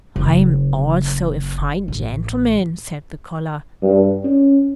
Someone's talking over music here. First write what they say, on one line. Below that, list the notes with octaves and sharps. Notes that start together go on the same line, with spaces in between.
"I am also a fine gentleman," said the collar.
F#1
A1
G2
C#4